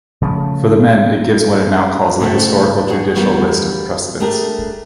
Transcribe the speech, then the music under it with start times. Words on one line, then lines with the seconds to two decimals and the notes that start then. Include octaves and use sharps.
For the men, it gives what it now calls the Historical-Juridical List of Precedence.
0.21 C#3 F3 G3 A3
2.20 A2 C#3 A3 C4 F#4
2.90 D4 F#4 G#4
3.15 D2 E3 G3 A#3 B3 F#4
4.20 A3 D4 G4 G#4 A#4